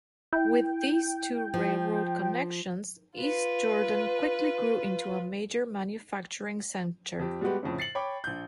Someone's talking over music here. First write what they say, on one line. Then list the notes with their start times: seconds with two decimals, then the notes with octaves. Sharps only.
With these two railroad connections, East Jordan quickly grew into a major manufacturing center.
0.33 E4 G5
1.54 F3
3.19 F4 B4
7.20 F2 G4
7.41 G3 G#3 B3 F#4 G4 B4
7.63 F2 A2 C#3
7.78 A6 C7 C#7 F#7
7.95 C#5 G5 B5 D6
8.24 A#1 G6